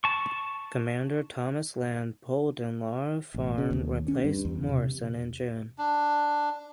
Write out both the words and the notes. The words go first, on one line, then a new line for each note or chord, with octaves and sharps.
Commander Thomas Lamb Polden Laugharne replaced Morrison in June.
A5 C#6
A1
C#3
D#2
C#4
G2
E2
C3
D4